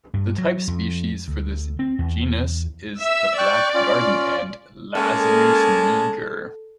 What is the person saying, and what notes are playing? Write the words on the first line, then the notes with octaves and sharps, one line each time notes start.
The type species for this genus is the black garden ant, "Lasius niger".
G2
F#3
F2
D2
C4
E2
E5 E6
D5 G5 C#6 F#6
C#4 F4
G#3 A#3 C#4 A4 A5